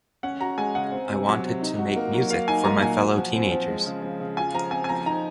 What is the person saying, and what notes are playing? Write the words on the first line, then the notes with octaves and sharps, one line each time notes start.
I wanted to make music for my fellow teenagers.
C#4 F#5
F#4 A#5
G#3 G#5
C#3 F#5
C4
C3
F#3
C3
D#4
F#4
A#3
F#3
A#3 F5
D#4 G#5
F#3 A#5
A#2 G#5
F#4
F3
C4
F3
G#3
C#3
F3
C#3
F4 G#5
F3 A#5
C4 G#5
G#5
F3 A#5
D#4 A#5